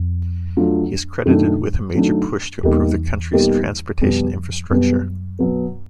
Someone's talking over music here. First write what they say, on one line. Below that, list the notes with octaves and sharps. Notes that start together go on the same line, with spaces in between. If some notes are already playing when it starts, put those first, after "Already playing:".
He is credited with a major push to improve the country's transportation infrastructure.
Already playing: F2
F#3 A3 D4 F4
F#2 D#3 F#3 A3 D4
D#3 F#3 A3 D4
E2 B2 G3 A#3 D#4 G4
B2 G3 A#3 D#4 G4
F2 B2 G3 B3
F#2 B2 G3 B3
B2 F#3 B3